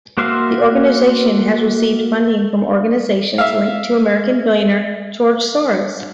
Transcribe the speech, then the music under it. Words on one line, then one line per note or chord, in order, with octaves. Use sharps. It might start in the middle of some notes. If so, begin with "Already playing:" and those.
The organization has received funding from organizations linked to American billionaire George Soros.
A#3 F#4 C5 E5 F5
E5 F5